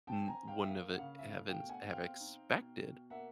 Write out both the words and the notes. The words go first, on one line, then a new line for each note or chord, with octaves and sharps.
n wouldn't have ev haven't have expected,
C4 G5 A5
G#5 A#5
C4
F5 G5
E5
A#3 F5
F#5
C#3 F5
E5
A3 F5
F5 G5
B2
F#5 G#5
C4 F5 G5
D#4
B2
B2
A#3 E5 F#5